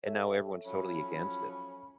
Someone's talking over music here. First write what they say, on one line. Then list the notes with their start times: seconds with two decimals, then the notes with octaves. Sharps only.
and now everyone's totally against it.
0.06 A4 C#5 E5
0.65 F3 F#3 C#4 B5